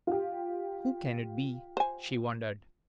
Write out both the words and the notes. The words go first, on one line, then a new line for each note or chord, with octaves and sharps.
"Who can it be?" she wondered.
F4 G4
C5 G#5